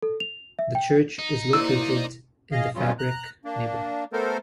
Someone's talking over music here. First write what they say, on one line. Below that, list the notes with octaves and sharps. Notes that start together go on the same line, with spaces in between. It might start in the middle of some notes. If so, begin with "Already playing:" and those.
The church is located in the Fabric neighborhood.
A4
F7
E5
G5
D#4
A#3 E4 C5 D5 E6
G#4 D#5 F5
E2 G2 F#3 G3 C#4 F4
A#5 F#6
A#3 D4
A3 B3 A4 A#4 C5